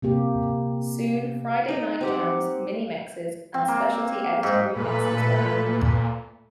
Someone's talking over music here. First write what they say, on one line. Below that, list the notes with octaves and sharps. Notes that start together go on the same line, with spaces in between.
Soon Friday Night Jams, Mini Mixes and specialty edited remixes were added.
C3 A#3 G4
D#4 D#5
C4 G4 F#5
C4
A#3
G#2
A#2 A3 A4 B4